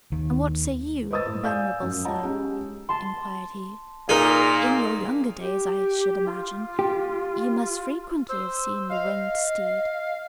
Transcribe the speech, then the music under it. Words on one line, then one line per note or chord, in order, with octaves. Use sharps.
"And what say you, venerable sir?" inquired he, "In your younger days, I should imagine, you must frequently have seen the winged steed!"
D#2 D#3
B4 C5 D#5 D#6 E6 A6
A2
D5 F5 G#5 E6 G6
F#2 F#3
F4 C#5 D#5 F#5 A5 A#5
G#3 C#4 G4
A5 C6
A#2 D#4 G#4 A#4
G4
F4
G4
C5 E6
D#5 F5